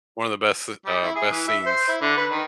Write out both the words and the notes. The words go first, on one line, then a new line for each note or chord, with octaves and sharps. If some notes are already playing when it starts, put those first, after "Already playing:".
one of the best, uh, best scenes,
G3
E4
G#4
E3
E5
C5
E4
D3
B4
D#3